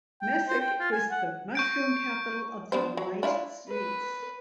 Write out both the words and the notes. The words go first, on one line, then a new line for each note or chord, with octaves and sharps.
Mesick is the Mushroom Capital of the United States.
G5
C5
G5
F4
G#5
F#5
C#6 G6 D7
B3 D4 C5
F#3
D4 E4 F4
B4